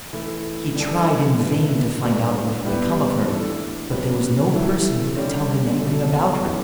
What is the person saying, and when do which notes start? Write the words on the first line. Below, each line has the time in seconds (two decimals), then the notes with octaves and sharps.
He tried in vain to find out what had become of her, but there was no person who could tell him anything about her.
0.13 E3 A3 E4
0.75 G3 D4 A4
1.38 D3 A3 E4 B4
2.02 D3 G3 D4 F#4 B4
2.65 G3 B3 E4 G4 B4
3.28 E3 A3 D4 A4
3.91 F#3 C#4 G4 B4
4.54 E3 A3 E4 A4
5.16 D3 G3 C#4
5.80 B2 F#3 A3
6.43 E3 A3 C#4 G4 B4